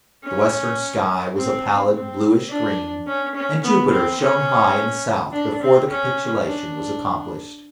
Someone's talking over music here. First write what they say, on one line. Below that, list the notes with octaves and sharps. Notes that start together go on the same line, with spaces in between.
The western sky was a pallid bluish green, and Jupiter shone high in the south, before the capitulation was accomplished.
C#4
C4
C4
D4
C#4
C#4
B3
C4
C#4
D4
C4
C#4
D4